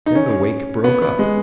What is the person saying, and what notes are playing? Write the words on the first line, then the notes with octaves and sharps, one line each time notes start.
Then the wake broke up.
D#4
C#4
B3
B3
G#3